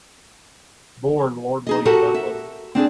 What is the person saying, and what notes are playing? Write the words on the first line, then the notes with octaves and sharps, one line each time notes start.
Born Lord William Douglas.
D#4 G#4 D#5
F#4 G4 A4 A#4
E5
C4 D4 G4 G#4